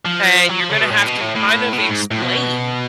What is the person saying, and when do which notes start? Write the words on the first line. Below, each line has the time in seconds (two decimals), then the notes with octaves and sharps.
and you're gonna have to kind of explain
0.05 F3
0.49 F#3
0.60 F3
0.70 C#3
0.81 B2
0.91 A2
1.07 B2
1.21 A2
1.36 A2
1.73 B2
1.78 A2
1.89 G#2
2.11 A2
2.22 B2